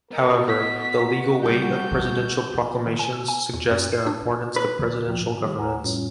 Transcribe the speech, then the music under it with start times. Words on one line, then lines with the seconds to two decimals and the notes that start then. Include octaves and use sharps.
However, the legal weight of presidential proclamations suggests their importance to presidential governance.
0.11 B3 A#4 D#5
0.48 F#4 B6
1.43 C#3 G3 G6
2.87 D#3
2.99 G#5
3.13 E6
3.28 G#5
3.54 E2
3.71 F#2
3.92 C7
4.07 D4
4.56 B4
5.06 D2 F3 G5
5.19 G#2 C#3
5.41 D#3 G3 G4 G#4
5.57 D#2 B4 F#5 G#5 A#5
5.83 F2 A2 G3 C#4 F4 C#5